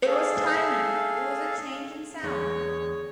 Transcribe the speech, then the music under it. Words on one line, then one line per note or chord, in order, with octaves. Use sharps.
It was timing; it was a change in sound.
G#4 A4 F5
E2 D3 G#4 C#5